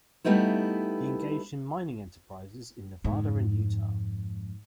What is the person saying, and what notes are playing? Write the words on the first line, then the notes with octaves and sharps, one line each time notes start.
He engaged in mining enterprises in Nevada and Utah.
G3 A3 B3 D#4 E4
F2 G#2